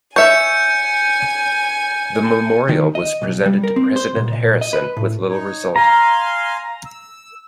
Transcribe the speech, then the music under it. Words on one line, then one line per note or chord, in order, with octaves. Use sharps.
The Memorial was presented to President Harrison with little result.
C#5 E5 G#5 G6 C#7
D#3
D#5
B1
G3
A#4
C4
C5
A#2
A#2
D#5
B4
A2
D#4 C#5
F5 G#5 A#5 C6
E6